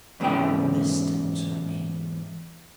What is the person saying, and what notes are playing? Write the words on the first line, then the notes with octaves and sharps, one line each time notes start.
'Listen to me.
E2 G#2 C#3 C4 E4 G5